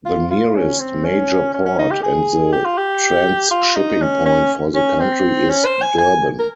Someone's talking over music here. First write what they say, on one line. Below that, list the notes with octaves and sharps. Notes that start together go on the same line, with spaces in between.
The nearest major port and the transshipping point for the country is Durban.
F4
F4
C#4
C4
C#4
C#4
C#4
D#4
G4
G#4
G4
F4
G4
F4
D#4
C#4
C#4
C#4
C4
C#4
C5
G#5
G#5
A#4